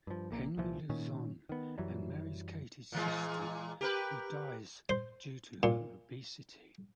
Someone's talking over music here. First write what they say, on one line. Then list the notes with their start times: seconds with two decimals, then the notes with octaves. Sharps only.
Henry lives on and marries Katy's sister, who dies due to her obesity.
0.07 G2 F3
0.31 A#1 A#2 A#3
0.57 C2 A#2 E3 F3
0.89 A#2 D#3 C#4
1.49 D#3 B3
1.78 F#2 E3 F#3 G3
2.92 A#2 E3 G#3
3.81 G4 A#4 B4
4.89 C5
5.63 A#2